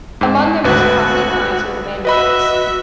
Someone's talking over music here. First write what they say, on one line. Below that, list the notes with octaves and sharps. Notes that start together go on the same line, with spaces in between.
Among their most prominent clients were the Vanderbilts.
G#2
G#1 D2 F#4 B4
F#4 B4 D#5 E5 B5